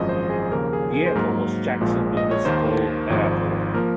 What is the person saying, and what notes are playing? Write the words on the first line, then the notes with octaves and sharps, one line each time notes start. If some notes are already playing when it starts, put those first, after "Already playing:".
The airport was "Jackson Municipal Airport".
Already playing: G#1 F#2 F3 G#3 D#5
C5
G#4
D#2 C#3 F3 A#3 A#4
G#4
G#4
C5
G#2 F#3 A#3 A#4
A#1 A#2 F3 G#3
D#5
C#5
D#2 D#3 A#3 C5
G#1 G#2 F3
F3 A#3 A#4